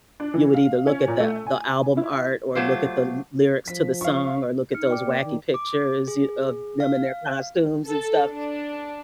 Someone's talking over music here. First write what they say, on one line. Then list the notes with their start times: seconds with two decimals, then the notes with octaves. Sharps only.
you would either look at the the album art, or look at the l lyrics to the song, or look at those wacky pictures you of them in their costumes and stuff.
0.20 D4
0.34 E3
0.54 F5
0.87 C#4
1.08 A#2
1.20 A3
1.47 G#5
1.97 E4
2.55 F#3 A3 F4 G4 C5
3.68 F3 B6
4.01 F5 C#6
4.75 D#4 F6 C#7
4.89 D5 G5 D6
5.02 A#3
5.24 D#3
5.54 D6
6.08 G#4
6.80 F5
7.87 A4
8.28 D4